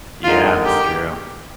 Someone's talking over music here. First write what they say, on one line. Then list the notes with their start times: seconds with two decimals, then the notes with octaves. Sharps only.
Yeah, that's true.
0.24 F2 D3 G#3 D#4 F4 A#4
0.65 G4